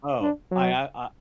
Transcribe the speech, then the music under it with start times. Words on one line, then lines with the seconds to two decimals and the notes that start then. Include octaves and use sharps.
Oh, I, uh, uh
0.22 D4
0.51 F#3